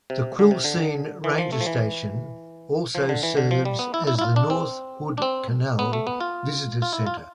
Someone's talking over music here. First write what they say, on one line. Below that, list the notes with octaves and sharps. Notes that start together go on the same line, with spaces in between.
The Quilcene Ranger Station also serves as the North Hood Canal Visitors Center.
C3
D3
C3
D3
E3
F3
A3
F3
E3
F3
D3
E3
D3
F3
G3
B3
E4
E4
E4
F4
D4
C4
D4
C4
B3
A3
B3
F4
F4
E4
F4